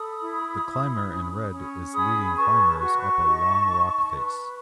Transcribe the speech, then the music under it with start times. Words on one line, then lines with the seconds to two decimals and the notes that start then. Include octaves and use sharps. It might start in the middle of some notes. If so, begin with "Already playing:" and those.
The climber in red is leading climbers up a long rock face.
Already playing: A4 B5 D#6
0.20 E4
0.63 E4
1.07 C#4
1.49 C#4
1.93 G#4 B5 D#6
2.36 B4 A5 C#6
2.80 F#4 A5 C#6
3.23 D#4
3.67 D#4
4.10 B4